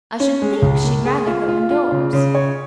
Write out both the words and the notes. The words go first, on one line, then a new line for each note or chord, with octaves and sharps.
"I should think she'd rather go indoors."
C#4
G#3
C#2
A#3
G#4
F4
F4
F4
C#3
C#3
C#5